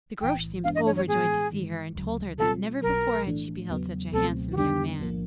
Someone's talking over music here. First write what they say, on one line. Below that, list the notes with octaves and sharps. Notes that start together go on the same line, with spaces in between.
The Groac'h seemed overjoyed to see her, and told her that never before had she beheld such a handsome young man.
B1 A2 E3 G5
G2 E3 G#3 B3 D4 F5
D#5
C#5
C#5
A2 E3 G#3 B3 G#4
G2 D#3 G#3
D2 C#3 F#3
B2 G3 C4 F4 A4
B1 B2 F#3 A#4
A2 E3 A3 D4
E2 C#3 F#3 B3
C#2 B2 F#3 A3 C4 A4
F#4
F2 D3 G3 B3 D4 G4
B1 A2 F3 A#3